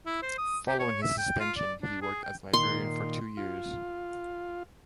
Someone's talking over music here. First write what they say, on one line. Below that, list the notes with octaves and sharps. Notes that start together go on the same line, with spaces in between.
Following his suspension, he worked as a librarian for two years.
E4
C5
D#6
G4
C#5
E5
G5
F4
D5
D4
G#4
G5
A#2 D#3 C6
F4